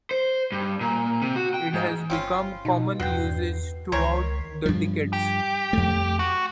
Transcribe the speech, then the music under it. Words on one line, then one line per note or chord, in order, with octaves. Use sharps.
It has become common usage throughout the decades.
C5
G2
A#2
C3
F#4
G5
G#2
G1 C4 C#4 F4 B5 C7
B2 D#4
E2 G2 F#4 B4 G5 C7
C#2 D#3 A#4 C5 C#5 B6 C7
G2 F3
G4
F2 A3
F#4